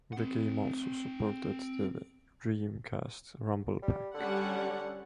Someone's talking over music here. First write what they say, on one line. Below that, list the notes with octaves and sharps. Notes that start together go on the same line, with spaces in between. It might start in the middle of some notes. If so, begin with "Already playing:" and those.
The game also supported the Dreamcast rumble pack.
C4 F#5
G3
D3 G3 C#4 F#5